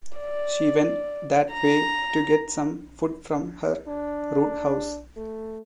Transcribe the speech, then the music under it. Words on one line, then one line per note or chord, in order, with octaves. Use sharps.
She went that way to get some food from her roothouse.
D5
A#5
D4
A3